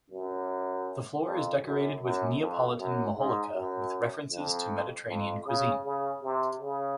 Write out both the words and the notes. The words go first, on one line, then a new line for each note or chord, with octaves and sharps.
The floor is decorated with Neapolitan majolica with references to Mediterranean cuisine.
F#2
F2
F#2
F#2
F2
F#2
G#2
F#2
F2
F2
C#3
C#3
C3
C#3